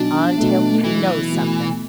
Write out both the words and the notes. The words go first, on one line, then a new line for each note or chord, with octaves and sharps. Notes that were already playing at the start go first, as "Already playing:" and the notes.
"Until he KNOWS something!"
Already playing: B1 D4
B2 A3
B1 E3
B2 A3